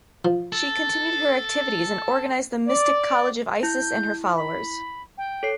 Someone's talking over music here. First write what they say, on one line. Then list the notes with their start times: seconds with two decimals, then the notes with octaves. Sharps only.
She continued her activities and organized The Mystic College of Isis and Her Followers.
0.25 F3
0.52 A4
2.68 D5
3.63 E4 G6
4.36 B5
5.18 G5
5.43 A4 C#5 C7